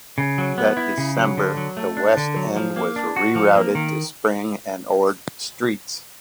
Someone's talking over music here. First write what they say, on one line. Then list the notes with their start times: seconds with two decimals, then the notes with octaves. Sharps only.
That December the west end was rerouted to Spring and Ord Streets.
0.18 C#3
0.38 F#3
0.58 B3
0.77 E4
0.98 C#3
1.17 F#3
1.38 D3
1.57 F#3
1.77 A3
1.97 D4
2.17 D3
2.36 F#3
2.56 F3
2.76 A#3
2.96 D4
3.16 F#4
3.35 F3
3.56 A#3
3.75 D#3